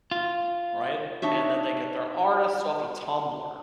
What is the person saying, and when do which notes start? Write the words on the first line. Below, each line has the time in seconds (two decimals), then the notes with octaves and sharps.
right? And then they get their artists off of Tumblr,
0.11 F4
1.22 D4 D#4 C#5 E5